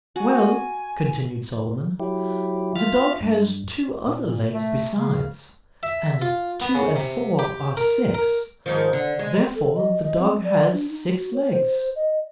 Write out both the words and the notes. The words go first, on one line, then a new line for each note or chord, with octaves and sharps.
"Well," continued Solomon, "the dog has two other legs, besides, and two and four are six; therefore the dog has six legs."
F#4 G#5
F#3 E4 G4
F4 E5 F6 A6
G2
A#2
A#2
A3
C#3
E5
F4
B3
C#3
C3
G4
A#4
A#4
G#2 D#3 F3
D3
G#3
A4
D#5
D#5
C4
D5
D4
D#4
F#4
C#5
C5
D#5